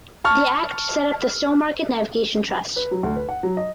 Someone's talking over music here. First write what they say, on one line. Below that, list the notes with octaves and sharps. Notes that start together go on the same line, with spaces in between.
The Act set up the Stowmarket Navigation Trust.
A5 C#6 F6
B4
F#3
D2
B4
F#5
F#3
D#5